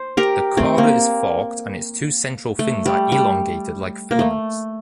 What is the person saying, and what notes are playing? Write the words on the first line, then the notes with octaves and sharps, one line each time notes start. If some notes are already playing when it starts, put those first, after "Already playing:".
The cauda is forked and its two central fins are elongated like filaments.
Already playing: C5
G4 A#4
A3 C4
A#3
A3
G3
G3
A#3
A3